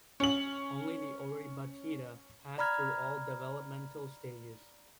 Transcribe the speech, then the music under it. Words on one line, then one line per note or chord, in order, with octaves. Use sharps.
Only the Oribatida pass through all developmental stages.
C#4 F#7
D5 A#5 B5 F6 G#6